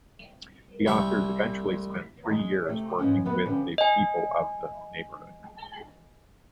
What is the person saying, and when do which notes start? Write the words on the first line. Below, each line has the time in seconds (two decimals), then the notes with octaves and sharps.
The authors eventually spent three years working with the people of the neighborhood.
0.86 C2 E5 C#6
2.29 G#3
2.68 C3 A3
2.99 G#2 E3 F3 C#4
3.25 D#3 A3 B3 F#4 B4
3.46 D3 F3 G3 C#4
3.78 D#5 G#5